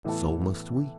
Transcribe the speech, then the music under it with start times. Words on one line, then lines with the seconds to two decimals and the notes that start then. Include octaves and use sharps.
"So must we."
0.04 A2 E3 B3 A4